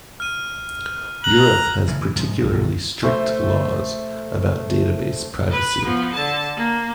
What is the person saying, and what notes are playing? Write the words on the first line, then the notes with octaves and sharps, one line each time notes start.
Europe has particularly strict laws about database privacy.
F6 D#7
A#5 F#6 F#7
A1 C#3 E3
E3
G#2 F3
C#2 F3 G3
D#1 B1 E2 D3
A3 C5 E5
B4
F3 B3
D3 A5
A#3